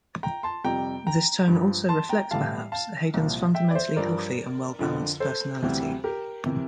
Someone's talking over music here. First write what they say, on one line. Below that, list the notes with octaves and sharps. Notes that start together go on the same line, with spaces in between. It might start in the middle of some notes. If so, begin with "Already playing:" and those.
This tone also reflects, perhaps, Haydn's fundamentally healthy and well-balanced personality.
G5 A#5
A5 C6
F2 C3 G3 G5 A#5
G5 A#5
G2 F3
A5 C6
G5 A#5
A2 E3 G3 F5 A5
F5 A5
C2 A#2 F3
E5 G5
D5
C5 E5
G2 F3 A#4 D5
F2 D3 F3
A4 C5
D2 C3 E3 G3
G4 A#4
C3 E3